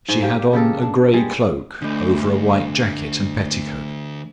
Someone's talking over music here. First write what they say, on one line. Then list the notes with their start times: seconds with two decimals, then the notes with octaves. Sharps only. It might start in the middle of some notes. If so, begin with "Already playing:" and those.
She had on a grey cloak over a white jacket and petticoat.
0.09 G#2
0.22 A#3 G4 G5
0.53 C#3 G4 A4 A#4
0.82 D4
1.14 G3 G#3
1.82 D2 A3 D4